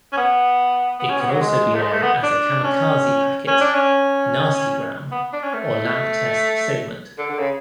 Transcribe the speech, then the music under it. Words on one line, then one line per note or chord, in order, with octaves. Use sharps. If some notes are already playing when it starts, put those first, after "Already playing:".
It can also be known as a "kamikaze packet", "nastygram", or "lamp test segment".
C#4
B3
B3
C#4
B3
F#3
G#3
A3
G#3
A3
B3
D4
C#4
C#4
D4
C#4
B3
D4
C#4
A3
D3
D3
C#3